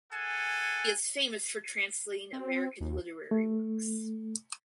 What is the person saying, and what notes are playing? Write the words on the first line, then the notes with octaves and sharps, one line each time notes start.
He is famous for translating American literary works.
G#4 A4 F#5 G#5
C4
D#2
A3